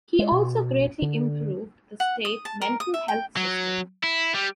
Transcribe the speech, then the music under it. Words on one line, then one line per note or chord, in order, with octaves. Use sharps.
He also greatly improved the state mental health system.
G#3
B2
D3
F#5
D#6
A5
A#4
D#6
E5
G5
F#3
E4
G3